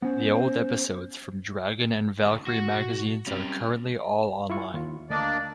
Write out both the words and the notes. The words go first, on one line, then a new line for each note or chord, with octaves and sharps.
The old episodes from Dragon and Valkyrie magazines are currently all online.
B3 C#4 C5
D2 G#2 D#4
D3 A#3 F#4
B2 F#3
F#3 G3 C4 C#4
E4 F4 C#6
D#2 F4
D2 A#3 D4 D5 D#5 A6